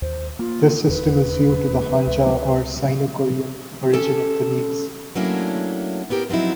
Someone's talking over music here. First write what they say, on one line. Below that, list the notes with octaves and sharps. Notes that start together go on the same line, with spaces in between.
This system is due to the hanja or Sino-Korean origin of the names.
D#2 C5
A#3 F4
E1 D#2 B4
C#2
C#4 G4 A4 A5
F#3 A3 A#3 C#4 D4 E4
B3 E4 G4 A#4
F3 F#3 C4 D#4 E4